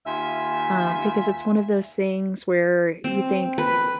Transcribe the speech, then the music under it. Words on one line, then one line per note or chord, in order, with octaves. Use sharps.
um, because it's one of those things where you think,
D#2 F4 E5 G#5
C4
B4